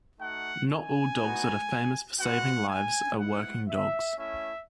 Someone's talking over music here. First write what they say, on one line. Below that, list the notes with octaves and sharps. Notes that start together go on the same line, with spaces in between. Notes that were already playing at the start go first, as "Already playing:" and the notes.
Not all dogs that are famous for saving lives are working dogs.
A3 D#4 F#4 F#5
G#5
B3 D#4 F#4
G#3 B3 F#4 F#5
G#5
B3 E4 F#5
E5
A3 C#4 E4 E5